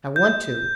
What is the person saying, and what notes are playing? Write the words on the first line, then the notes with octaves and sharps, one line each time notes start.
"I want to."
G6